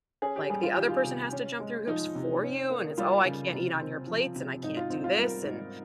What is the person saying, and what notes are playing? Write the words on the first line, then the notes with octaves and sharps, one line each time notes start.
like the other person has to jump through hoops for you and it's, "Oh, I can't eat on your plates and I can't do this." And
C#4 G#4
G4
G3 G#4
F4
D#3 G4
F4
C3
C#4
G#3
F3 D#4
C3
C#4
A#3
G3 F4
C#3
C3
C4
F3
C3
G#2 D#4
F4
C4 D#4
F4
G3 A#4
G#2